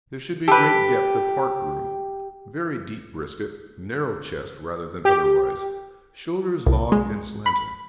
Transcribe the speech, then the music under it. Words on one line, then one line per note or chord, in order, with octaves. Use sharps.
There should be great depth of heart room, very deep brisket, narrow chest rather than otherwise, shoulders long and slanting.
G4 A4 B4
G4
C2
G#3
B5